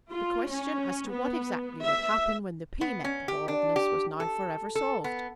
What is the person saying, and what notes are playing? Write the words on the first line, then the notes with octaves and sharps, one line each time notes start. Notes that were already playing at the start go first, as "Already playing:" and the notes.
The question as to what exactly would happen when the pea met the baldness was now for ever solved.
F4
C#4
B3
E5
B3
C#4
G4
D4
G4
A4
A4
B3